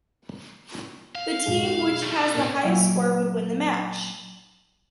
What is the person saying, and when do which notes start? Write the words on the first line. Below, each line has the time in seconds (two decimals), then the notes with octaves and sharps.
The team which has the highest score would win the match.
1.15 F5
1.45 B1 F2 G#3
2.03 G3 A3
2.34 B2 A#3
2.63 A#2 F#3 E4 E5 G5